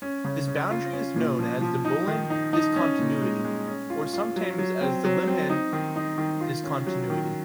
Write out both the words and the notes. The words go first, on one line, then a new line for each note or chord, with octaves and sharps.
This boundary is known as the Bullen discontinuity, or sometimes as the Lehmann discontinuity.
C#4
C#3
C#4
F4
C#4
A#2
F3
F3
D#4
D#3
D#4
D#4
C#4
A#2
G#3
G#3
C#4
F4
F4
F#3
F#3
C4
F#3
C4
D#4
D#3
D#4
D#3
F4
C#4
F#3
D#3